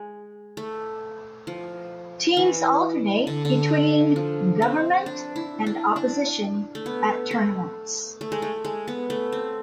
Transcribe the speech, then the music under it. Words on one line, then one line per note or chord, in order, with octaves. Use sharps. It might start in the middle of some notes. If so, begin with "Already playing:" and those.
Teams alternate between government and opposition at tournaments.
Already playing: G#3
A3
F3
E3
D3
D3
F3
C4
D4
E4
D4
D4
A3
B3
A3
A3
G#3
A3
G#3
B3
A3
C4